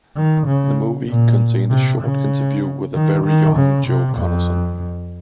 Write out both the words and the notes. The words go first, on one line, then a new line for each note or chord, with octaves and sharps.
The movie contained a short interview with a very young Joe Conason.
D#3
C#3
A#2
C3
C#3
D#3
D#3
C#3
C3
F2